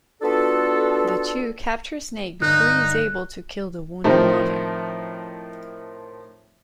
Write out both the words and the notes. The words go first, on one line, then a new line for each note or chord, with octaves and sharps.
The two capture Snake before he is able to kill the wounded Mother.
B3 D4 F4 F#4 A4
G2 D3 D#4 F#6
A2 D#3 F3 C4